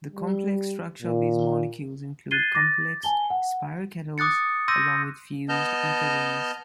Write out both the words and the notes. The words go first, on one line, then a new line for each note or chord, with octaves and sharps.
The complex structure of these molecules include multiple spiroketals, along with fused ether rings.
G3
A#2
F#6 G#6 A6 C7 D#7 G7
D6 A6 A#6
G#5 A5 G7
F#5
D6 D#6 F#6 A6 C#7
C6 D6 E6 G6 A#6 D#7
B3 D#5 A5 F6 G6